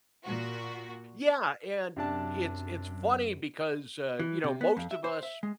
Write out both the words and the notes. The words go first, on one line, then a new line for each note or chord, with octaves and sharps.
Yeah, and it's it's funny because, uh, you know, most of us
A#2 F#4
F#2 C3 D4 A5
E3
C3
B3
F2
E5
C5
E5
G#3